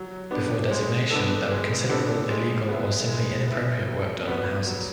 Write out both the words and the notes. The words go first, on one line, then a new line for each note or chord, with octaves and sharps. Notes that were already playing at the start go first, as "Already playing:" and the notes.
Before designation there was considerable illegal or simply inappropriate work done on houses.
Already playing: F#3
B3 D4
G#3
B3 D4 A4
G#3
B3 D4 A4
G#3
B3 E4
G#3
B3 E4
F#3
B3 F#4 B4
F#3